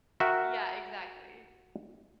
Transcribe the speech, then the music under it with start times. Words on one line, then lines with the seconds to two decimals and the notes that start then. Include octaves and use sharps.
Yeah, exactly.
0.20 F#4 A#4 E5 G5